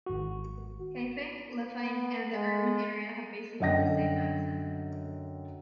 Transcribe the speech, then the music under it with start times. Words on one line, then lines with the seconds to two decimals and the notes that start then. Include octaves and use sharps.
Haifeng, Lufeng and the urban area have basically the same accent.
0.06 G#1 F#4
1.80 B3
2.33 G#3
3.60 F#2 D3 D#5 F#5 G5 A#6